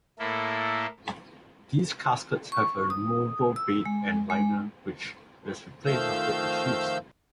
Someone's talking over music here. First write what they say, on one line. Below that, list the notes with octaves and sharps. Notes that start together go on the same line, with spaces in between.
These caskets have a removable bed and liner which is replaced after each use.
A2 A#3 E4 A4
C#6
D#6
E6
G#3
G#3
D#3 F3 A3 F5 E6 G6